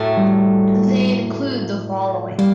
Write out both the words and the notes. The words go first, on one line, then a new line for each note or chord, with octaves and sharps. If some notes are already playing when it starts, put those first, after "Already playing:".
They include the following.
Already playing: A2 F#3 A3
G3
G3 A#3